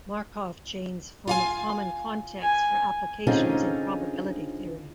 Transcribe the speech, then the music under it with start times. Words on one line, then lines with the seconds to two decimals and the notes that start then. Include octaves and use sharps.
Markov chains form a common context for applications in probability theory.
1.28 F4 F5 G#5
2.41 G#5
3.27 D3 C4 C#4 D#4 F4 G#4